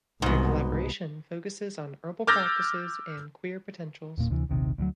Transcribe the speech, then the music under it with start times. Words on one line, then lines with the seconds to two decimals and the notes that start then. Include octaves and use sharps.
Their collaboration focuses on herbal practices and queer potentials.
0.22 C2 G#2 B2
2.27 D6 E6 F6 G6 A6 A#6
4.18 E1 A#2 A#3
4.30 D2 C3 E3
4.49 D#1 A#1 C3 D#3
4.78 D2 D#3 F#3